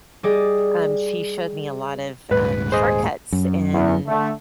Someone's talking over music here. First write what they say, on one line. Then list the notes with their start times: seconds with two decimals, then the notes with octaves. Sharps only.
um, she showed me a lot of, um, shortcuts, and,
0.23 G3 G#4 D5 D#5
2.31 D#1 G#2 B4
2.72 G#4 C5 D#5
3.32 F#2
3.73 E2
4.08 D3 A3